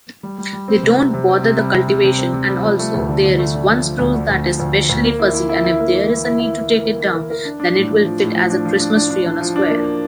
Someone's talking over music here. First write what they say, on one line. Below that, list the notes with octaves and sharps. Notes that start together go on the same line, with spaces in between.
They don't bother the cultivation and also, there is one spruce that is especially fuzzy and if there is a need to take it down, then it will fit as a Christmas tree on a square.
G3
G3
G3
C4
C3
C3
C3
C4
C3
G3
C3
C3
C3
C4
C3
G3
F3
A3
D2
D3
D3
A3
D3
F3
F3
D2
D3
D2
F3
D2
F3
D2
A#3
E4
E4
E4
E4
A#3
E3
E4
E4
E4
E3
A#3
A#3
E4
A#4
A#4
D4
D4
A2
F3
F3
A2
F3
D4
F3
D4
D4
D4
D4
F3
D4
A#3